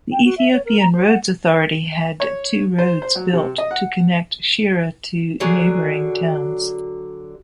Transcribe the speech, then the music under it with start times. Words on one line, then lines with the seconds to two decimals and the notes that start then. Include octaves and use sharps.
The Ethiopian Roads Authority had two roads built to connect Shire to neighboring towns.
0.11 G5
0.24 F#4
0.37 E5
0.52 C#5
0.65 A#4
0.79 A#5
0.93 C5
1.07 F#5
2.20 C#5
2.78 C5
3.02 C5
3.15 F#3
3.33 C3
3.58 D#5
3.71 F#5
5.40 D3 F#3 G#4